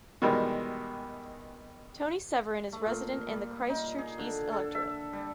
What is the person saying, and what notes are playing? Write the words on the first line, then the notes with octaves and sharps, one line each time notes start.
Toni Severin is resident in the Christchurch East electorate.
B2 D#3 E3 G3 G#3
A3
A#2
G3
D#4
G#4
D3
A4
E5
G3